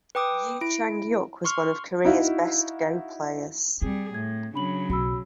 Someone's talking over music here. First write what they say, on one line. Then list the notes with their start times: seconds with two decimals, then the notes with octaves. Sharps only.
Yoo Changhyuk was one of Korea's best Go players.
0.15 B4 G5 D6 D#6
0.61 E4 D7
1.44 C6 C#6 F6
2.05 D#4 E4 F#4 F5
3.82 G3 C4 G#4
4.14 A2 G#6
4.54 C#3 F#3 D4 B5 F#7
4.90 B1 F#4 B5 E6